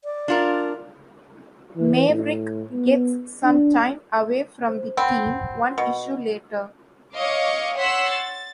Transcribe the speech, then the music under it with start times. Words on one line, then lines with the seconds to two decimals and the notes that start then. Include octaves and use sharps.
Maverick gets some time away from the team one issue later.
0.04 D5
0.28 D4 F4 A#4
1.77 E3
2.09 A2
2.72 B3
3.44 D4
4.69 C5
4.97 C4 F#5 B5
5.78 B2
7.15 C#5 D#5 F5 C#6 D6
7.75 C#5 F#5 C6 E6 B6
8.11 A6